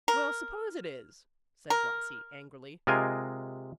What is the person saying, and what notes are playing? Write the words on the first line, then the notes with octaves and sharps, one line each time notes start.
"Well, suppose it is," said Blasi, angrily.
A#4
A#4
C3 G#3 F4 A#4 D#5 G#5